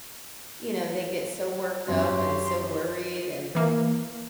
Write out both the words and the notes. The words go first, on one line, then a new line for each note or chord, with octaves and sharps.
you know, they get so worked up and so worried and,
F#2 G4 C#5 C6
E3 A#3